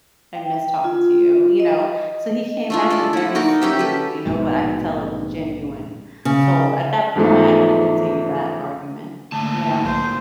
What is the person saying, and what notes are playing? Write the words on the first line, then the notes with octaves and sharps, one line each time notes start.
I miss talking to you," you know? So, he came back in very smooth, you know, but I could tell it was genuine. So, at that point, I couldn't continue that argument, you know?
G5
F4
D#5
A3 D4 F4
A4 D5
E4 F#5
D#4 F#4 A#4 D5
F#3 C#4 G4 E5
A4 B4
A#1 F2 G#2 B2
C#3
E2 G#2 F3 A3
D2 G#2 A#3 A5
B1 C5